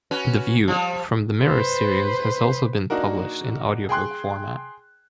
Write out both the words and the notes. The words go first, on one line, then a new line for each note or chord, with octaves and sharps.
The View from the Mirror series has also been published in audiobook format.
C#4 F#4 B4
F3 G3
B4 C5
A#3 D4 D#4 F#4 A#4
G#4 G5 C6 F#6